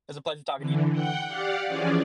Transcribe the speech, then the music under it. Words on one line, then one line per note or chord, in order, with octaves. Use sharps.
It's a pleasure talking to you
D3 E3
F#5 G5 G6
G4 D5 F5 F#5
E3 F3 C#4 G#4 D5